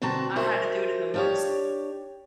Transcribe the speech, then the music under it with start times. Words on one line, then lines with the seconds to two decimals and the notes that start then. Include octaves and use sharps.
I had to do it in the most
0.02 B2 D3 C4 F#4 A5 A#5
0.36 F#4 A#4 C5 E5
1.14 D4 G4 C#5